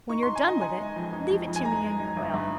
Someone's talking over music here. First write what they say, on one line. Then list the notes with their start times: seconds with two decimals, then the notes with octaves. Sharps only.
When you're done with it, leave it to me in your will.
0.09 D#4 C#6
0.23 C6
0.27 D#4
0.36 G#5
0.44 D#4 D#5
0.61 D#4 G#5
0.78 G#3
0.96 F2
1.13 D#4
1.30 F2
1.47 F2
1.56 G#5
1.65 G#3 A#5
1.82 G#3
1.99 D#4
2.17 G1
2.34 G2